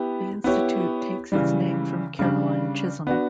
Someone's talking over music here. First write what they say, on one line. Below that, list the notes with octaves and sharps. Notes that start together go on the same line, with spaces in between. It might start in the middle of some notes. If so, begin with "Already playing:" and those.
The Institute takes its name from Caroline Chisholm.
Already playing: B3 E4 G4
B3 E4 G4 C#5
C#3 E3 G3
C#3 G3 D4
B3 D4 F#4